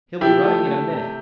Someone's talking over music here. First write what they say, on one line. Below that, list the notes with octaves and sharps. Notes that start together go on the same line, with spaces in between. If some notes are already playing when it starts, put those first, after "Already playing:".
"He'll be running in a minute."
F3 E4 G4
A3
A3
C3